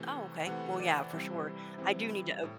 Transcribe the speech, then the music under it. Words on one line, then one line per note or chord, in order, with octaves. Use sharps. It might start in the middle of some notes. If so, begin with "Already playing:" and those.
Oh, okay, well, yeah, for sure, I do need to o
Already playing: C3 E3 A3
C3 E3 A3 F#5
D5
C3 E3 G3 C4 E4 C5
C3 E3 G3 C4 E4
A2